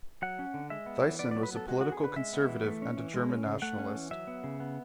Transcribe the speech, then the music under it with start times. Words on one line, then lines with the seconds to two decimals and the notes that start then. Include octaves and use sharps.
Thyssen was a political conservative and a German nationalist.
0.22 F#3 F#5
0.39 C#4
0.54 D3
0.70 G#3 E5
0.86 B3
1.03 E3
1.19 B3 D5
1.31 F#3 D5
1.43 B4
1.52 B3 A4
1.68 G#3 F#4
1.81 B3 F#4
1.92 G#4
2.01 D3 B4
2.16 G#3 E5
2.33 B3
2.48 E3
2.65 A3
2.82 C#4
2.97 E3
3.14 G#3
3.30 C#4
3.46 C#3
3.62 A3 F#5
3.79 C#4
3.95 E3
4.11 F#3 E5
4.27 B3
4.44 C#3
4.60 B3